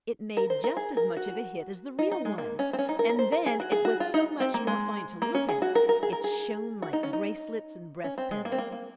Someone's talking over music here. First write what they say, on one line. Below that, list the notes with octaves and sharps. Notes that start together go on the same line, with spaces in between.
It made just as much of a hit as the real one, and then it was so much more fine to look at--it shone like bracelets and breastpins.
A#4
C5
A#4
G#4
A#4
F#4
D#4
D#4
G#3
A#3
C#4
C4
C#4
D#4
A#4
A#4
C5
A#4
G#4
F#4
G#4
F#4
F4
D#4
C4
A#3
G#3
A#3
C#4
G#4
F#4
A#4
A#4
G#4
A#4
G#4
F#4
D#4
C#4
D#4
C#4
C4
G#3
A#3
C4
A#3
A#3